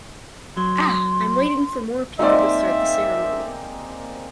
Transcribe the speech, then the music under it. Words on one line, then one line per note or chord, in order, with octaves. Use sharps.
Ah! I’m waiting to more people to start the ceremony.
F#3 C6
G#3 A#3 C4 D#4 D5 E5